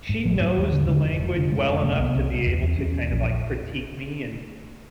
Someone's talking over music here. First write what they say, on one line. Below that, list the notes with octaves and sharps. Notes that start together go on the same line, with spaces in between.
she knows the language well enough to be able to kind of, like, critique me and
G#2
A1 F3
F3
G#2 F#3
D#2
D3
D3 G#3
F1
F1
D3
F1 G#3
F1
C3 A#3
C2 B3
C3 C4
C2
E2
E2
C4
E2 C#4
E1
A#1